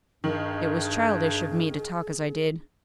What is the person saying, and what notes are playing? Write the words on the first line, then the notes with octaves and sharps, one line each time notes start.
It was childish of me to talk as I did.
G2 D#3 G#4